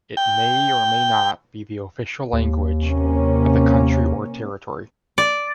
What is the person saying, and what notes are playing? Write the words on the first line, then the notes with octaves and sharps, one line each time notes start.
It may or may not be the official language of the country or territory.
G5
D#2
C3 A#3 C#4
D5